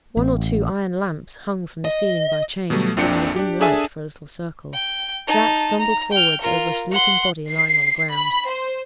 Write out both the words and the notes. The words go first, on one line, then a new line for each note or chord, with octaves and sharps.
One or two iron lamps hung from the ceiling by chains, giving a dim light for a little circle. Jacques stumbled forwards over a sleeping body lying on the ground.
A1
D#5
B2 F#3 G3 A3
A#1 F2 A#2 D4 G5 C#7
D4 G4
D4 G#4 A4 E5 G#5 A5
G5
D#4 A5
A#5
G5 F6
F4 A#4
F#5 C6
C7
B5
C5